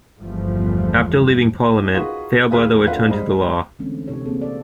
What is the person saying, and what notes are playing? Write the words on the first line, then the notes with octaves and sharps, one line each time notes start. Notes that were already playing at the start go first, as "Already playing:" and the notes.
After leaving Parliament, Fairbrother returned to the law.
G1 E2 E3 F3 G3 A3
D#4
D#4 F4 F#4 G#4 A#4 B4
D#1 F4 G#4 B4 D#6 F6
D#1 G#1 E2
A3 D4 F4 A#4 B4 F#5
G3 G#3 C5 D#5 B5
D3 E3 G#3 A3 C4 C#4
C3 D#4 G4 A4 C#5
A#3 C4 G#4 A4
F#4 A4 D5